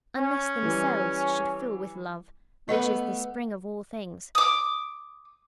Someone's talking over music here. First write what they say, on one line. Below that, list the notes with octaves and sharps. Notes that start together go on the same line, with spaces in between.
Unless themselves should fill with love, which is the spring of all things.
C#4
E3 G3
A3 B3 B4 D#5
D6 D#6